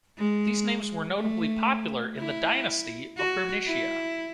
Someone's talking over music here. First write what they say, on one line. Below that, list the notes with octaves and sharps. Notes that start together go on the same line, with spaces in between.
These names were notably popular in the dynasty of Bernicia.
G#3
A3
E4
F#4
E4